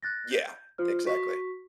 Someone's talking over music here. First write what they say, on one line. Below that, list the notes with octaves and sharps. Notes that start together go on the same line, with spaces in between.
Yeah. Exactly.
F#6 A6 A#6
G6
F4 C5 F6
F#4 C#6 B6